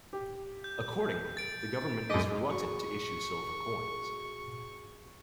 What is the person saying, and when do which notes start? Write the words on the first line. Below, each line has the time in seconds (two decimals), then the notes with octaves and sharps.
Accordingly, the government was reluctant to issue silver coins.
0.13 G4
0.64 G6
1.37 A6 D7
2.10 F#2 G#3 D#5 D6 B6
2.49 F#4 G#4 C#6